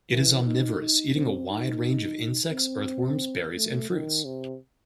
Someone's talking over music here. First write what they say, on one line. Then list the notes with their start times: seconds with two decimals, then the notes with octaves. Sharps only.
It is omnivorous, eating a wide range of insects, earthworms, berries, and fruits.
0.11 E3
0.46 D#4
0.80 D#4
1.15 C4
1.49 D#4
2.52 C4
3.56 A3
3.91 D#3
4.25 C3